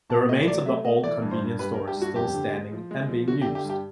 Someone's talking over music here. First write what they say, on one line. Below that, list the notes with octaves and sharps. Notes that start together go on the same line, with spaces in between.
The remains of the old convenience store is still standing and being used.
A#2 A5
A3 D#5
F#3 D5
A3 E5
A3 D#5
E3 D5
G2
C5
G2
G3 B4
A#4
G2
G4
G2 F#4
F2 G4
D3
G#3
F3
G#3
F3
D3 F#4
G4
D3
G4
G2
G4